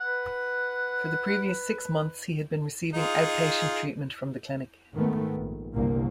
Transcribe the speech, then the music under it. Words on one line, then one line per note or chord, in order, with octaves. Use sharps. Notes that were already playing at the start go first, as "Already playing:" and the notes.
For the previous six months he had been receiving out-patient treatment from the clinic.
B4 F#5
D#4 F4 G#4
G#2 D#3 A3 B3
A#1
G1 C2 A#3